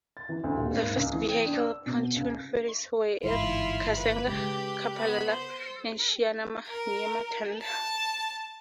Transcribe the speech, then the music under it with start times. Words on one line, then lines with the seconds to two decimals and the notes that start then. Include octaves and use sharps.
The first vehicle pontoon ferries were at Kasenga, Kapalala and Shiniama near Matanda.
0.17 A6
0.29 E3
0.44 D2
0.57 D#1
0.73 G#1
0.96 C#2
1.13 E3
1.29 G5
1.46 D4
1.60 E6
1.86 B2
2.16 C#2
3.23 G1 G#2 E3 E4 F4
3.94 B4
4.27 C#3 G#3 G4 B4
4.97 B3 B5
5.27 C5
6.67 A#4
7.63 A5